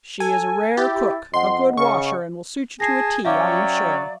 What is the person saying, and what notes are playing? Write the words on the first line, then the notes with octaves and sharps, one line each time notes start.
"She is a rare cook, a good washer, and will suit you to a T, I am sure."
A4 G#5
E4 G4 A6
F2 D#5 F#5 C6
C#3 C#6
G#4 A5 A#6 C7
F#3 C#4 D5 E5 F5 G5 D6